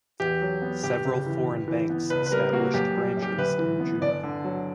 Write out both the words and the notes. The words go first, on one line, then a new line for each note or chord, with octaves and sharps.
Several foreign banks established branches in Juba.
E2 G4
F#3
B3
G1 G4
C#3
E3
G1
E3
B3
C#2 B4
B4
G3 A#4
A#3 F#4
F#2 G4
G3
F#2
G4
D2 B4
E3
B3
G1 D5
D3
F#3